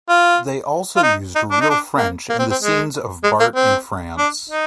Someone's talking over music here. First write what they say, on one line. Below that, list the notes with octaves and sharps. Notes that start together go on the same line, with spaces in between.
They also used real French in the scenes of Bart in France.
F4
F4
D#4
D#4
D4
D#4
D4
A#3
A#3
C4
C4
G#3
G#3
A#3
C4
D4
D#4